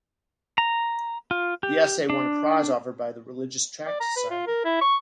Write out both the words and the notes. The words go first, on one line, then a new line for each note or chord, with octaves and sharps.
The essay won a prize offered by the Religious Tract Society.
A#5
F4
G4
D4
D5
A#5
B4
F4
A#4
E4
C#6